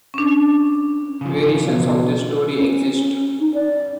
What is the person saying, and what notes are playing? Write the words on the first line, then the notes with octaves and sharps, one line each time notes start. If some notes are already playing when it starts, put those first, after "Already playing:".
Variations of this story exist.
C#4 D4
C#3 F3
B2
C#4
D#4
D5